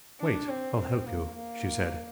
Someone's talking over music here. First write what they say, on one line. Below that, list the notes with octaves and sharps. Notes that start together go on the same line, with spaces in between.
"Wait, I'll help you," she said.
D4
C4
C4
A#3
A#3